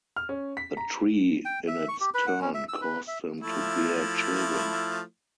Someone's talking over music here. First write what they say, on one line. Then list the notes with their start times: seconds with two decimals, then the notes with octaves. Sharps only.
The tree in its turn caused them to bear children.
0.16 F6
0.29 C#4
0.57 B6
0.77 A#5
1.45 G5
1.68 E5
1.88 C#6
2.00 G4
2.14 B4
2.27 F#5
2.41 C#4
2.54 E5
2.69 E6
2.81 B4
3.08 E5
3.40 F3 A3 E4